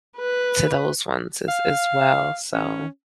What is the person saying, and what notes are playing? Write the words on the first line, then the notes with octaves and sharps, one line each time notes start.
to those ones as as well, so
B4
F5
C#4